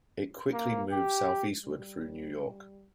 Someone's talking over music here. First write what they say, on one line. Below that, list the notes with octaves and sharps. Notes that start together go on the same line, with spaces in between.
It quickly moved southeastward through New York.
A#3
G4
G3